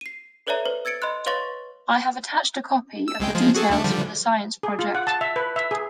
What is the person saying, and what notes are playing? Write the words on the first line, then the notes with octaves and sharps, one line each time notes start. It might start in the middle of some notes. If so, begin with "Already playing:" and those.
I have attached a copy of the details for the science project.
C7 D#7
A4 B4 C#5 D5 E5 A#5
B4 C5
E6 G#6 A6 C#7 D7
D#5 B5 C6 F#6
B4 C#5 F5 C6 C#6 A6
E6
C2 G#3 G5
F3 G#3
F#4 G#4 A4
D2 A3 D4
D3 F3 G3
G#4
F4
F#5
A5
E5
B4
E5
G#4